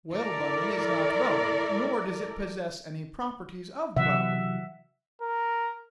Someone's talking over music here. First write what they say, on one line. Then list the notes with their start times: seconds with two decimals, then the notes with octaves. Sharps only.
Whalebone is not bone, nor does it possess any properties of bone.
0.13 E4 A4 A#4 D5
3.96 C3 E3 F#3 E5 F#5
5.22 A#4